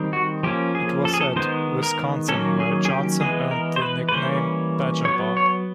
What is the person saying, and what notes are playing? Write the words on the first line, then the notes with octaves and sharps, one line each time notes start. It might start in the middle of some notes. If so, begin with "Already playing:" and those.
It was at Wisconsin where Johnson earned the nickname, Badger Bob.
Already playing: D#3 G3 C4
F#4
F3 A#3 C#4 G4
G#4
A4
G#4
A4
D#3 G#3 B3 C5
A#4
D#3 F#3 A#3 C#4 A4
G#4
G#4
G4
E3 G#3 B3 G#4
A#4
C5
B4
B4
E3 G3 A#3 C#4 C5
F#3 B3 C#5
C#5